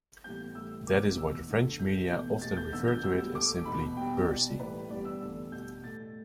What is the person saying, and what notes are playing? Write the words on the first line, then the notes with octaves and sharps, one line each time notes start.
That is why the French media often refer to it as simply "Bercy".
A2 E3 G3 B3 G6
A2 E3 G3 E6
E2 B2 A3 D6
E2 E3 B3 E6
E2 D3 A3
A2 A3 G6
E2 B2 A3 G6
B2 A3 A6
G6
E2 D3 B3 E6
G6
A2 G3 B3 E6
A2 A3 D6
E2 B2 B3 B5
B2 G3 B3 G5
B2 B3 D5
A2 E3 G3 B4
G2 E3 G3 B3 D5
E6
E2 D3 A3
B2 G3 B3 G6
A2 A3 A6